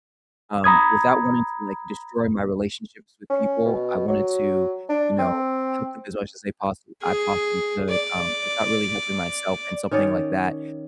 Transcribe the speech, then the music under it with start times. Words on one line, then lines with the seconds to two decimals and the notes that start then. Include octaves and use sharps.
um, without wanting to, like, destroy my relationships with people, I wanted to, you know, help them as much as they possi I possibly could, um, without really helping myself in something like that.
0.64 A#5 B5 D#6 G#6
3.30 C#4
3.65 B2
4.08 F#3
4.90 D4
5.19 C4
7.02 G#4
7.89 D5
9.91 D#3 C#4 C#5 D5